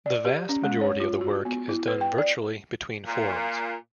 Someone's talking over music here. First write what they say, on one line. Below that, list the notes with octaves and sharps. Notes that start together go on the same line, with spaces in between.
The vast majority of the work is done virtually between Forums.
D5
G4
C#4
G#3
C#5
F4
F#4
B3
E4
B4
G5
D5
A#2